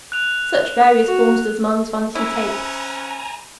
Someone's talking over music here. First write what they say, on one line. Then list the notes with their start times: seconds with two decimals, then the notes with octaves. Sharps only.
Such various forms does man's vanity take!
0.12 F#6 F7
1.08 F#4
2.15 C#4 E4 C5 F#5 G#5 A#5 B5